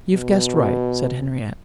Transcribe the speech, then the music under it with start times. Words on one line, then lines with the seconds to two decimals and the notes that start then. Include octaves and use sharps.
"You've guessed right," said Henriette.
0.13 B2